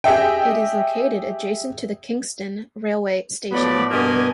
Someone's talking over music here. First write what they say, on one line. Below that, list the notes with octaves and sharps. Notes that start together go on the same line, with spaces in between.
It is located adjacent to the Kingston railway station.
G4 G#4 D#5 E5 G5
A2 F3 F#3 B3 D5 B5
G2 B2 A#3 B3 D#5 G#5